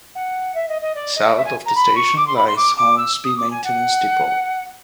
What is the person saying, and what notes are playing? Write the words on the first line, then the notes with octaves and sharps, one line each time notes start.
South of the station lies Hornsby Maintenance Depot.
F#5
E5
D#5
D#5
D5
D#5
E5
G#5
A#5
B5
C#6
D6
C6
B5
C6
D6
D6
E6
D#6
D6
G#5
F#5